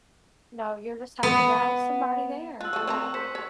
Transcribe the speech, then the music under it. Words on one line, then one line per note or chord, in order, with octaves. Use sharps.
No, you're just happy to have somebody there.
B3
F4 E6 F#6
F3 A3 C#6 E7
C4 A#4 A#5 C#6
C5 B6 C#7
C#5